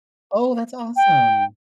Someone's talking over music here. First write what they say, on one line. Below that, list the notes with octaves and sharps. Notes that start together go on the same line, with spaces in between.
Oh, that's awesome!
G5